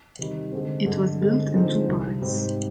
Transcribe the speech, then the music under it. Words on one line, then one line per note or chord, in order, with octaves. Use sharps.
It was built in two parts.
C3 D#3 G3
D3 G#3 C4
G2 D3 G#3
D3 G#3 C4
D3 F3 G#3 C4 D#4
C2 C3 G3
G#2 G3 C4 G4